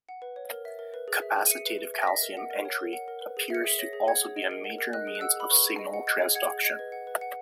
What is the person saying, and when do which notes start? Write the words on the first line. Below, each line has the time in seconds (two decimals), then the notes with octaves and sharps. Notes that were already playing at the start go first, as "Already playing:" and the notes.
Capacitative calcium entry appears to also be a major means of signal transduction.
0.09 F#5
0.22 B4
0.36 C#5
0.51 A#4
0.65 E5
0.79 A#4
0.94 B4
1.08 G#4
1.22 E5
1.37 G#4
1.47 D#7
1.51 E5 C#7
1.66 B4
1.79 B4
1.94 E5
2.02 A#6
2.07 D#5 B6
2.22 A#4
2.37 F#5
2.51 A#4
2.65 C#5
2.79 A#4
2.93 F#5
3.08 A#4
3.21 B4
3.37 G#4
3.50 E5 C#7
3.64 G#4 B6
3.79 C#5 A#6
3.93 G#4
4.08 F#5 G#6
4.22 G#4
4.36 D#5
4.51 A#4
4.64 F#5
4.78 A#4
4.93 D#5 F#6
5.07 G#4
5.15 F#6
5.21 F#5 E6
5.36 G#4 B5
5.50 B4 C#6
5.65 G#4
5.79 D#5
5.94 F#5
6.07 D#5 G#6
6.22 G#4
6.35 F#5 G#6
6.51 G#4
6.65 D#5 G#6
6.79 B4
6.92 F#5
7.07 B4
7.21 F#5